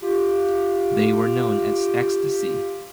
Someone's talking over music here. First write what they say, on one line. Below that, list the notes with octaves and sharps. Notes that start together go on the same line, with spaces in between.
They were known as "Ecstasy".
F4 G4